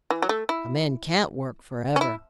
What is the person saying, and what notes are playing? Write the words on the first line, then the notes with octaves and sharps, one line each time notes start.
A man can't work for ever.'
E3
F#3
A3
E4
C#4
E4